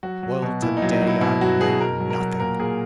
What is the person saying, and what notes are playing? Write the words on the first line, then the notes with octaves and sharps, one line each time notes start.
Well, to-day I've made nothing.
F#3 F#4
F#3
B2
A#2 E4
D#4
F#3
D#4
F#3
E4
B2 E4
F#3 F#4
B2 G#4
B2 A#4
F#3
A#4
F#3
A#2 A#4
A#2 G#4